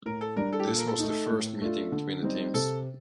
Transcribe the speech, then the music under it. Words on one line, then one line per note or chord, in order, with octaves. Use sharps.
This was the first meeting between the teams.
A2 A#4
A4
G3 D4 A#4
A4
G4
A#2 A4
A#4
A4
A3 D#4
A4
A2
A3 D4 F4
D3
G3 C4 D#4
C3 A4